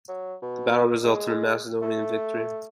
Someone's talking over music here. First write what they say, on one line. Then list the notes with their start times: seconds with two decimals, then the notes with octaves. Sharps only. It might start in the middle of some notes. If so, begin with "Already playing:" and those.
The battle resulted in a Macedonian victory.
0.08 F#3
0.42 B2
1.04 G#3
1.82 A3